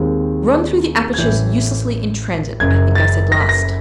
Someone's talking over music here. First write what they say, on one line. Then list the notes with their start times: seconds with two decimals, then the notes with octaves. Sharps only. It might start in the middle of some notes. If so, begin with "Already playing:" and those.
"Run through the apertures uselessly in transit," I think I said last.
Already playing: D#2 D#3 G#3 C4
1.14 G#6
1.18 A1 A2 E3 G6
2.60 F#1 F#2 C#3 G#6
2.95 A6
3.32 A#6
3.40 B6
3.49 A#6